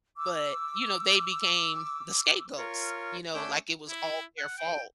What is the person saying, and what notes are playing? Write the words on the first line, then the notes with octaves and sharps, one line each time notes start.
But, you know, they became the scapegoats, you know, like, it was all their fault.
D6 E6
F4 A#4 C#5
A3 C#4 D4 D6 E6 G6
E4
F#5
G5